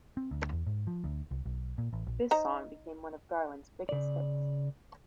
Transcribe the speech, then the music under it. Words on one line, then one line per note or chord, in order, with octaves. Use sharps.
This song became one of Garland's biggest hits.
C4
D2
E2
G#2
F3
D2
C2
B1
A#2
A1
A#1
D#4 C5 A#5
C#3 D5